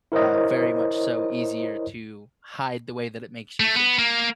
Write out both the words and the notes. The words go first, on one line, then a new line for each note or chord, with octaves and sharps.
uh, very much so easier to hide the way that it makes you feel.
E4 A#4 C5 C#5 D#5
A3
B3
A#3